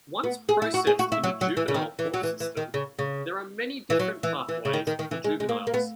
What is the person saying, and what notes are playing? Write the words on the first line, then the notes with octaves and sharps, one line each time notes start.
Once processed in the juvenile court system there are many different pathways for juveniles.
B3
G#4
E4
F#4
G#4
F#4
E4
F#3
F#3
E3
C#3
D#3
E3
F#3
E3
E3
D#3
C#3
C#3
E3
F#3
E3
E3
C#3
D#3
D#3
D#3
E3
G#3
G#3
A#3
A#3
B3